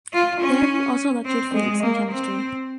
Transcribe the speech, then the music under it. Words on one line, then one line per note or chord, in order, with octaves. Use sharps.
There he also lectured physics and chemistry.
F4
C#4
C4
G#3
A#3
C4